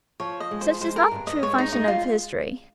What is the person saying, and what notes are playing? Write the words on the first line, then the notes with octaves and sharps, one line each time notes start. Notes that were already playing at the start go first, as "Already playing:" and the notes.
Such is not the true function of history.
F3 C#5
D#5
G#3
C5
G#3 C5
A#4
G2
D#5
G#3 C#5
D#4
G#3 D#4
F4